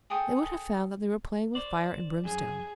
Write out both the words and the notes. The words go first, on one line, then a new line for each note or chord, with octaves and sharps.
They would have found that they were playing with fire and brimstone.
G#4 A4 G5 D#6
C5 D5
F#2 G#4